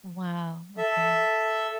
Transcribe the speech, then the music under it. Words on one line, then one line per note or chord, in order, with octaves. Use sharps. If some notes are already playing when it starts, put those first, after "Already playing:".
Wow, okay.
A4 E5